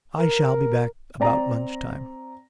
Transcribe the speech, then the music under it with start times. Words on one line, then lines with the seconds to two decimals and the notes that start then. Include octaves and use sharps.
I shall be back about lunch time.'
0.18 A#4
1.20 C4 D5 A#5